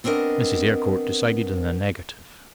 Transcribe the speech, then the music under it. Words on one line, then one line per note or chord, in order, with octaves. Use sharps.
Mrs. Eyrecourt decided in the negative.
B3 C4 D4 A#4 D#5